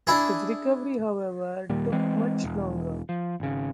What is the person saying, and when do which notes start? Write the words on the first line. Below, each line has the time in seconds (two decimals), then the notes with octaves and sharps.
His recovery however took much longer.
0.07 D4 E4 G#4
1.70 D#2 A#2 G3
1.92 E3 G#3 C4
2.44 E1
3.09 F3
3.40 G#1 C#3